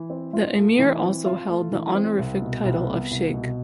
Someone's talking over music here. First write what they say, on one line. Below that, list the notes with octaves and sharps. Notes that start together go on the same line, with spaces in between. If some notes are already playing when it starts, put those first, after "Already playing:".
The Emir also held the honorific title of sheikh.
Already playing: E3
C4
F4
A3
E3
C4
F4
A3
E3
C4
C2
B2
C2
B3
C2
B2